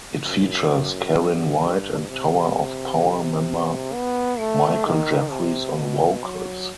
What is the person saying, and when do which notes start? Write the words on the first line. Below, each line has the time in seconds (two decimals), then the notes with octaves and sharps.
It features Karyn White and Tower of Power member Michael Jeffries on vocals.
0.24 F#2
1.16 G2
1.62 G2
2.09 C3
3.93 B3
4.39 A3
4.85 D#3
5.31 C3
5.77 B2
6.23 F#3